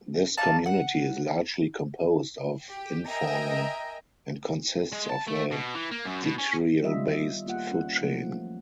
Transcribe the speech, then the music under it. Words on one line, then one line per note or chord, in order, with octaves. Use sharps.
This community is largely composed of infauna and consists of a detrital-based food chain.
D#4 D5 F5 A5
F#5
G4
A#4 D#5 E5 G5 G#5 A#5
G#3
A5
A3
B2
E3
A#3
F#2
B2
C#4
D#3 G3 B3 F4 D#5 E5
A#3 F4 F#5
C#4
F3 F#3 A3 A#3